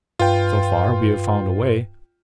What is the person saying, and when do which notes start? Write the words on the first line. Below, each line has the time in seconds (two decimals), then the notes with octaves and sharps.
So far we have found a way.
0.19 G2 F4 B4 G5